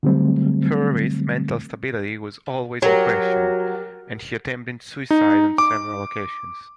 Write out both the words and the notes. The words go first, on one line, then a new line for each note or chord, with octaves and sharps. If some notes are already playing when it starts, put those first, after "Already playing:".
Purvis' mental stability was always in question, and he attempted suicide on several occasions.
D3 F#3 G3 A3 C4
F#3 G4 A#4
D#4
D6